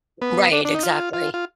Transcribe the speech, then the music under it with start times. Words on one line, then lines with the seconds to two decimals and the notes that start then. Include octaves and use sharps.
Right, exactly.
0.22 B3
0.53 D4
0.65 D4
0.74 D#4
0.83 F4
1.13 F4
1.34 F4